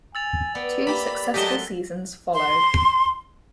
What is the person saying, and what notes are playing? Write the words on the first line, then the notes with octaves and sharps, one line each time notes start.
Two successful seasons followed.
G#5 E6 A6 F7
B3 D5 G5
A#3 G4 B5
F#3 G#3 A3 G4 D#5 A5 B6 G7
C6